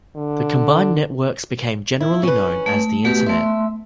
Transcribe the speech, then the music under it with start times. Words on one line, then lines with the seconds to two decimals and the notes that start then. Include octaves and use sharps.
The combined networks became generally known as the Internet.
0.16 D3
2.01 E4
2.23 C#4 B4
2.66 A3
3.05 B2 A3 G4 B4
3.26 A3 E5 C6